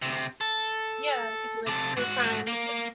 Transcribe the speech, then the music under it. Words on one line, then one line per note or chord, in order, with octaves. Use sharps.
Yeah, it could be like True Crimes,
D2 C3
A4
C3 A4
G#2 F#4
A#3